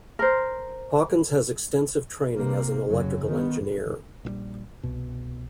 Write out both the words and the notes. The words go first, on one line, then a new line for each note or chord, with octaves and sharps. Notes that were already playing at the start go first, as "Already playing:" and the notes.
Hawkins has extensive training as an electrical engineer.
A#4 C5
C3 A#3
F#1 F#3
D#3 B3
A#1 D3 G3
C2 B2